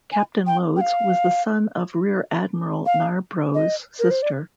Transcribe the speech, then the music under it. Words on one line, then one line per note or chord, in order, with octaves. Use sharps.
Captain Loades was the son of Rear Admiral Narbrough's sister.
G#5
G5
G5
F5
F5
D#5
A#4
C5
D5